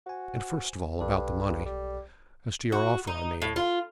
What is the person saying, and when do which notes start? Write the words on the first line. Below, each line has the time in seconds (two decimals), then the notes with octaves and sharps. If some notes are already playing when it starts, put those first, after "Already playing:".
And first of all, about the money,--as to your offer, I mean.
0.07 F#4 C5 G#5
1.01 B1 G2 A4 D5
1.66 G3
2.72 F#4
3.07 D#4
3.42 A2
3.56 F4